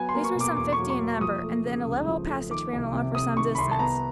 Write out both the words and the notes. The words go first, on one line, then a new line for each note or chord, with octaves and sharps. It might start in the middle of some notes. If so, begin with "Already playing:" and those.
These were some fifty in number, and then a level passage ran along for some distance.
Already playing: F#3 B3 G#5
C6
A#3
C#6
B2
D6
E2 D6
C#6
F#3
C#6
A#3
F3 D#6
A3
C#3
C#2
F3
A3
D#3 D6
C2
C3
C2 D#6
D#3 C#6
B5
C2 C6
A5
B3 A#5